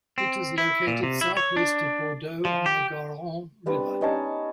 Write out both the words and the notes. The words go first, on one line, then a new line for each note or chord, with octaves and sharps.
It is located southwest of Bordeaux on the Garonne river.
C4
E4
A#2
C3
E4
C#5
D4
F3
G4
G3 B3 C4 D4
C#4 D#4 C#5 A5